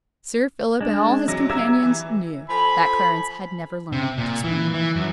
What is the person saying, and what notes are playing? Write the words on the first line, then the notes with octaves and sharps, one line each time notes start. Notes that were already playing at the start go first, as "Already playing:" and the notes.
Sir Philip and all his companions knew that Clarence had never learned to swim.
G#3 D4
C3 F#3 A#6
G4 E5 A#5 E6 G#6
E3
F3 A4 G#5 B5
C3
A#2
E3
E3
F#2